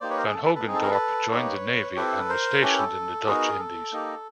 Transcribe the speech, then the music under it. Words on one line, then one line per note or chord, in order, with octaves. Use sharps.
Van Hogendorp joined the navy and was stationed in the Dutch Indies.
A#3 D#4 G4 C5 D5
B4 C#5
A#4 C5
G#4
A4
A4 B4
A4 B4
C4 D#4 G#4
A4
G#4 A#4
A4 B4
A#3 D#4 G4 B4 C#5
C4 E4 G4 A4 B4
A#4 C5
C#4 E4 G4 A4 B4
A#4
A4
B3 D#4 F#4 G#4 A#4
A4
A#3 D#4 G4